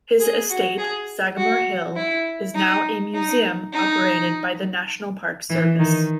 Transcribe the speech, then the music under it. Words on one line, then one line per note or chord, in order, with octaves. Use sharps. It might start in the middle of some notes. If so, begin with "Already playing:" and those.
His estate, Sagamore Hill, is now a museum operated by the National Park Service.
G#4
F#4
G#4
F#4
E4
D#4
D#4
D#4
E3
D#3